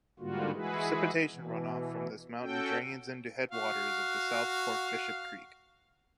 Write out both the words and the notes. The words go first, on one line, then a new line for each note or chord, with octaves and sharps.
Precipitation runoff from this mountain drains into headwaters of the South Fork Bishop Creek.
G#2 D3 G3 A#3 F4 F#4
E3 G#3 E4 F#4 G#4 B4
B2 E3
C#4 F#4 A4 G5
F#4 F5